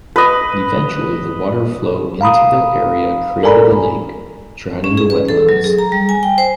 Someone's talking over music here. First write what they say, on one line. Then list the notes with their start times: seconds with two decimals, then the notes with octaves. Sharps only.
Eventually the water flow into the area created a lake, drowning the wetlands.
0.16 B4 D#5
2.21 F5 A#5 B5 D#6
3.43 A4 A#4 D5 G#5 A#5 B5
4.84 C#4
4.97 G#4
5.10 B4
5.29 A4
5.49 F#3
5.64 G#4
5.79 A#5
5.92 G3
6.09 G#5
6.23 G5
6.38 C5